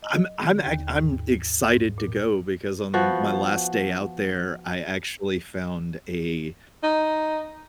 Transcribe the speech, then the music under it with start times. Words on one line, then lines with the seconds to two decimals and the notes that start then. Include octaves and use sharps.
I'm I'm ac I'm excited to go because on my last day out there, I actually found a,
0.03 D#5
0.46 D3
0.66 D#2
0.98 G#2
1.73 G#2
1.98 A#2
2.94 F3 B3 F#4
6.83 D#4